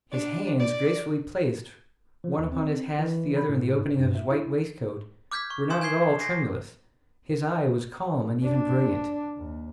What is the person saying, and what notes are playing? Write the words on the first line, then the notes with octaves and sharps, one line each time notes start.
His hands, gracefully placed, one upon his hat, the other in the opening of his white waistcoat, were not at all tremulous; his eye was calm and even brilliant.
D4
D5
F3
D#2
C4
E3
B5
A2
G#2
G2
E5
E4
D6 F6 G6 G#6 B6
C#6
G#5 C6 D#6 E7
G#5 G6 G#6 C7 G7
G#5 A#6 C7
D4
D#2